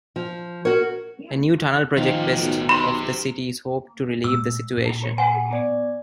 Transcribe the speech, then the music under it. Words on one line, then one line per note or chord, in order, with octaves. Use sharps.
A new tunnel project west of the city is hoped to relieve the situation.
F3
F#4 A#4 C#5
A2 D#3 F3 F4
B1
C3 C4 B5 C6
A#2 E6
A#2
F#5 G#5
B3 D5